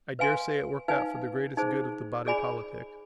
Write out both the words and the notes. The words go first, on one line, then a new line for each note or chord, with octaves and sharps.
I daresay it worked out for the greatest good of the body politic.
B4 F5 G#5 C6
D#4 B4 F5 G#5
D#4 G#4 C5
G#4 D5 G#5 B5